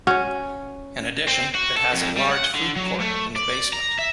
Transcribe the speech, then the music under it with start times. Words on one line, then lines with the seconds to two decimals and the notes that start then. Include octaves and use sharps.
In addition, it has a large food court in the basement.
0.07 C#4 F#4 C#5
1.28 C4
1.55 F#4
1.77 A4
1.93 F2
2.17 G3
2.31 F#5
2.55 D3
2.76 F#3
3.00 A3
3.36 D5
3.73 A#5
3.99 E5